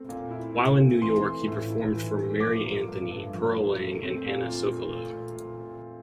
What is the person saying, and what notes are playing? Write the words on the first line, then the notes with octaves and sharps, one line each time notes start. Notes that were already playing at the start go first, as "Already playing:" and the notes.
While in New York he performed for Mary Anthony, Pearl Lang, and Anna Sokolow.
Already playing: A3 C4
A#2
E4
A3
C4
E3 C6
A3
A2
E4
E3
A3
F3 D6
A#3
G2
G2
F3
A#3
A3
C4
A#2
F4
A3